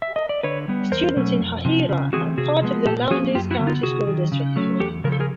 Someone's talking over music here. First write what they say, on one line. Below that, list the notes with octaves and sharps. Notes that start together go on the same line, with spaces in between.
Students in Hahira are part of the Lowndes County School District.
E5
D#5
D5
D3 B4 C#5
G3 B3
E2 A#4 C5
B2 F#3 A3 C#4
F2
C3 F3
C#3
E3 A3 C4 F#4 G#4
C3 F#4 G#4
F3 G#3 B3
A#2 G4 A4
F3 A#3 C#4 F#4 G#4
F#2 F4 G4
E4 F#4
D3 F#3 B3
D#4 F4
C3 F#4 G#4
D#3 F#3
C#3
F#3 A3 C#4
E2 G4 A4
C#3 F3 A#4
A4
G#4 A#4